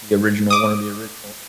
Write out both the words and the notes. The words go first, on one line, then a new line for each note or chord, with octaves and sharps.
The original, one of the original.
D6 D#6